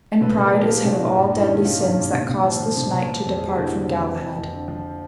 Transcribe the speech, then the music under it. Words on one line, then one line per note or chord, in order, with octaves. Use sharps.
And pride is head of all deadly sins, that caused this knight to depart from Galahad.
A#2 A4 B4
A#2
G#4 A#4
F3
F3 F4 G4
A#2
E4 F#4
A#2
G2
G2 E4
C#4 D#4
D#3
D#3 F4 G4
G2
G2
A#2
A#2
F3
F3
A#2
A#2
F3
F2
F2 G#4
G4
D3 E4 F#4
F3
F2
F3
F2
F2
D3
F3